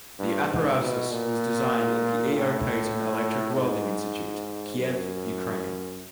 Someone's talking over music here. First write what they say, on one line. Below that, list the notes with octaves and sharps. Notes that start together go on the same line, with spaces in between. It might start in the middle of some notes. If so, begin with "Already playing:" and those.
The apparatus was designed at the E. O. Paton Electric Welding Institute, Kiev, Ukraine.
G2
G#2
B2
A#2
A2
G#2
F#2